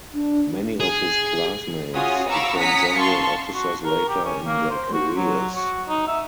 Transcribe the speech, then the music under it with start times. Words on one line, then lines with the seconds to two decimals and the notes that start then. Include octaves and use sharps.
Many of his classmates became general officers later in their careers.
0.14 D4
0.80 G#4
1.93 C#4 F4 F#4 G#4 C#5 D#6
2.28 F5 A#5 B5 C#6 D6 E6
2.57 C#4 F#5 A#5 D#6 B6 C#7
2.96 F5 A5 C6 C#6
3.54 F#4
3.84 A#4
4.09 G4
4.25 C#4
4.45 A#3
4.70 C5
4.93 F#4
5.16 F#3
5.55 F#4
5.88 D#4
6.07 E5